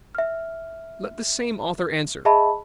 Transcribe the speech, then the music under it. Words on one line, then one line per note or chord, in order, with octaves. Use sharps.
Let the same author answer.
E5 F6
G#4 D#5 E5 A5 B5